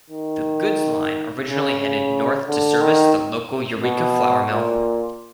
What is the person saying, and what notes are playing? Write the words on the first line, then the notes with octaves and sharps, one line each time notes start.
The goods line originally headed north to service the local Eureka flour mill.
D#3
C#3
C#3
D3
D#3
B2
A#2